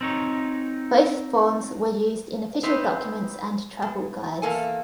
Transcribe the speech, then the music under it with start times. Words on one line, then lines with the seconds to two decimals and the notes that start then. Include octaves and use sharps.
Both forms were used in official documents and travel guides.
0.01 C4 D#4 C#5
2.63 B3 C4 D#4 C5
3.82 B2
4.42 E2 A#3 A4 G#5